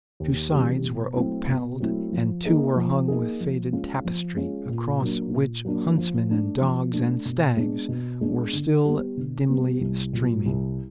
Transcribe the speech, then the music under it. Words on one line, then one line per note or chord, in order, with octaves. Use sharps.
Two sides were oak-panelled and two were hung with faded tapestry, across which huntsmen and dogs and stags were still dimly streaming.
D#2
C#3 E3 G3
B2
F#3 A3 C4 E4
B2
F#3 A3 C4 E4
F3
A#3 D#4 G#4
F3
A#3 D#4 G#4
F3
G#3 C#4 F4
F3
G#3 C#4 F4
A#2
F#3 A#3 D4
A#2
F#3 A#3 D4
F3
A3 D4
F3
A3 D4
B2
G#3 B3 D4
B2
G#3 B3 D4
D3
G3 B3
D3
G3 B3
C2
A#2 F#3
C2